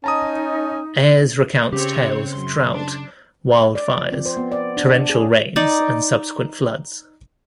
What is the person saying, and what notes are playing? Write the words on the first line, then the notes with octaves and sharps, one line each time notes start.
Ayres recounts tales of drought, wildfires, torrential rains, and subsequent floods.
C#4 D#4 A5 A#5 D#6
C#3 C4 G4 C#5
F#2 C6
D4
D5
F3
C4
C5
B3
D5
D4
D4
G#4
D#4 D5